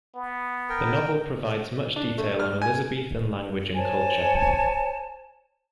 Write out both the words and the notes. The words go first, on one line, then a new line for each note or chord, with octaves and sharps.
The novel provides much detail on Elizabethan language and culture.
B3
A#4 G5
D4
A3
F6
G#5
C5 C#5 G#5 A5